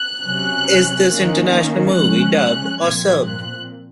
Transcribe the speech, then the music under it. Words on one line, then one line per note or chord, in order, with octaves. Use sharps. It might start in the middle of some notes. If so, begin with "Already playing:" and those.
Is this international movie dubbed or subbed?
Already playing: F#6
C3 F#3 C#4
D#3 A#3 C#4
F3 G#3 C#4 F#6
F#6
A#2 F3 C4 G#6
F#6